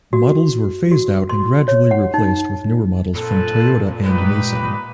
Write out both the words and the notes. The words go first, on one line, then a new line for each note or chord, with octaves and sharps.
Models were phased out and gradually replaced with newer models from Toyota and Nissan.
F#4
F#4
C6
C#5
F#5
D#4
A#2 C4 A4 B4 A5
G#3 D#4 G4 B4